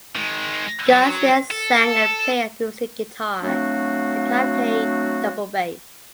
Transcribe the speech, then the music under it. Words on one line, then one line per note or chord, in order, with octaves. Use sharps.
Garcia sang and played acoustic guitar and Kahn played double bass.
D#3 G#3
F#3
A4
F#3 A3 C4 D4 F#4 F5